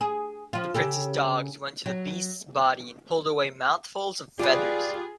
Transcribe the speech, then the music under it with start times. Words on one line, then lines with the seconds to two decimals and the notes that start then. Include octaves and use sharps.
The Prince's dogs went to the beast's body and pulled away mouthfuls of feathers.
0.01 G#4
0.53 F3 F4
0.74 C#3 G4 A4
1.86 F#3
4.39 F4 G4 G#4 B4 D5